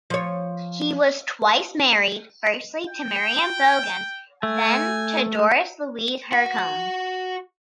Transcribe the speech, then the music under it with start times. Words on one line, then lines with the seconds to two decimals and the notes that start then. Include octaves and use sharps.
He was twice married, firstly to Miriam Bogen and then to Doris Louise Hurcomb.
0.10 F3 C#5
2.89 G5
4.43 A3 G#5
6.32 F#4 F#5